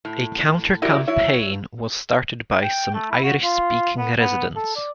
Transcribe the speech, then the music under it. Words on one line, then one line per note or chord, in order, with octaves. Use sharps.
A counter-campaign was started by some Irish-speaking residents.
A2
E4 F#4 G4 A#4 D5
F#3 E4 C#5 E5
G5
A3
E4
F#4
F4
B3
B3
A4
D5